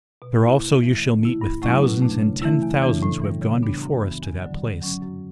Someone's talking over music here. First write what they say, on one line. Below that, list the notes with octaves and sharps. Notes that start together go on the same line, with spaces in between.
There also you shall meet with thousands and ten thousands who have gone before us to that place.
B2
A3 E4
F#2
E3 A3
D3
A3 E4
G2
F#3 A3 C#4 E4
B2
A3 D4
C#3
E3 A3 E4
E2
C#3 E3 A3 D4
A2
E3 G3
C#3
G3 B3 D4
F#2
E3 B3
E2
D3 F#3
G2
F#3 C#4
F#2